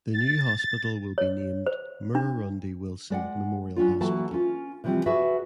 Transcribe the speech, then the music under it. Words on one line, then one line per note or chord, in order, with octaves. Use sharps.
The new hospital will be named Murrurundi Wilson Memorial Hospital.
A6
C#5
C5
D4
G#3 D5 F#5
F#3 C#4 D4 F4
E3 F#3 A#3 F#4 A4 A5
C#4 F4
C3 E3 F3 G3 C4
F#4 G#4 B4 D5 E5